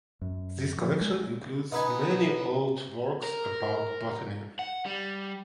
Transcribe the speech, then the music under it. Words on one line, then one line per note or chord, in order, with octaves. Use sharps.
This collection includes many old works about botany.
F#2
F3
G#3
B2 B3 D#4 B4 G#5
A#4
F#5
G3